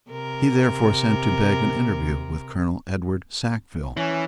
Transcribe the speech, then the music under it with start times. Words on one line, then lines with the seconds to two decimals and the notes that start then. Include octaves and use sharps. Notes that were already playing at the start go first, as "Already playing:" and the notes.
He therefore sent to beg an interview with Colonel Edward Sackville.
0.10 C3 A#4
3.97 E3 C#4